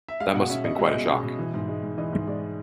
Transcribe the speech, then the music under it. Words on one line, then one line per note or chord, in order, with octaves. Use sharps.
That must have been quite a shock.
E5
G#3 F5
B2 F#5
C#4 E5
B2 D#5
G#3 E5
D#5
B2
C#4
B2
E3
G#2
G#3
G#2
E3 D#5
G#2
G#3 D5